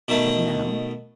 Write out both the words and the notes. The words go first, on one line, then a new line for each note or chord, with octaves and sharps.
But now?
B2 D#3 A3